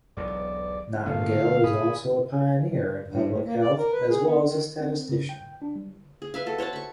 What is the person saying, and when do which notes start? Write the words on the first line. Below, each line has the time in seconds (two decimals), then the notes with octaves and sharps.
Nightingale was also a pioneer in public health as well as a statistician.
0.17 E1 B1 B2 D5
1.06 D2 A#2 D3 A3 B3 F5
1.64 B2 G#4 B5 D#6
3.08 G2
3.29 A2
3.45 A#3
3.61 D5
3.77 A#4
3.92 B4
4.09 G#4
4.23 B3
4.44 D#3
4.80 C4
5.09 C#3
5.29 G5
5.62 D4
5.76 G3
6.22 G#4
6.34 B4 E5 F5
6.46 F#4 A4
6.58 C5 C#5 F#5 A5
6.73 B5 C#6